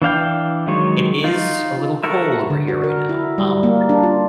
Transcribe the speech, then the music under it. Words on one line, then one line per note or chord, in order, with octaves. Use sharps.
it is a little cold over here right now, um
E3 D4 F5 G5
D#3 F#3 G#3 C#5
D#4 F4
F#4 A4 A#4 E5
D3
F#4
A#4
E4
G3
A#3
D4
F4